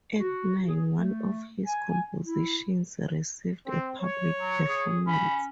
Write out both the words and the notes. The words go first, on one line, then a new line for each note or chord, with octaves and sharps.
At nine, one of his compositions received a public performance.
F#4
G#4
A3
G#5
E4
C4
C#5
F#3
G#4
C#4 B5